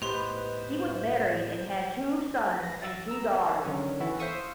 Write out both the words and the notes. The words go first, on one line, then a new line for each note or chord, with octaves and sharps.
He was married and had two sons and two daughters.
A2 B3 D#4 G4 B4 C5 C6 G7
B4 A#6
E6 A6 A#6
A#5 E6
D3 D#3 F#3 C#4
E3 B3 F#4 A4 B4
C5 E5 F5 C#6 D#6 E6